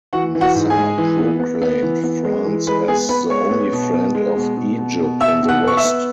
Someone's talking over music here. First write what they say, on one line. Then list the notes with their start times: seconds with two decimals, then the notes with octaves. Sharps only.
Nasser proclaimed France as the only friend of Egypt in the West.
0.13 E3 F#4 F#5
0.35 E3
0.41 F#4 F#5
0.55 G#2
0.70 G#4 G#5
0.77 G#3
0.98 E3
1.19 B3
1.39 B3
1.62 B3
1.82 E3
2.04 B3
2.24 G#3
2.45 E3
2.67 G#3 B4 B5
2.88 B3 G#4 G#5
3.09 B3 B4 B5
3.30 G#3 C#5 C#6
3.51 B3
3.72 B2
3.94 B3
4.15 G#3
4.36 B2
4.57 B2
4.78 B2
4.99 B2
5.21 B2 E5 E6
5.42 B2
5.49 F#5 F#6
5.63 B3 C#6
5.77 E5 E6
5.84 B3